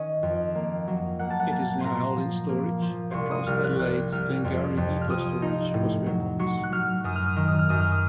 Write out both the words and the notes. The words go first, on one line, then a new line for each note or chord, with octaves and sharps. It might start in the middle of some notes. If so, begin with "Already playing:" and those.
It is now held in storage at Transadelaide's Glengowrie depot storage for spare parts.
Already playing: D#3 C#4 D#5
F2
A#3
F#3
A#3 F#5
A5
F#5
A#3 A5
A#2 A#5 C6
F3
A#3
F3
C2 C6 C#6
D#6
C2 F6
F#6
C2 F#6
C2 F6
F2
F2
F6
F2 D#6
D#4
A2
F#3
F#3 C#6
F#6
F#3 F6
F#2 D#6
F6
D#6
D#3 F6
D#6
F6
F#2 D#6
F6
D#6